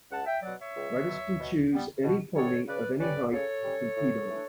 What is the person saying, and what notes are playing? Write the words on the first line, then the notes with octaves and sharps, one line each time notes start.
Riders can choose any pony of any height to compete on.
C#2 F#5 A5
E5 G5
B2 F#3 D5 F#5
C#5 E5
C#2
B2 F#3
B2
G3 B3
B2
G3 B3 A4 C#5
C#3 B4 D5
G3 C#4 B4 D5
C#3 A4 C#5
G3 C#4
A2
E3 A3 D4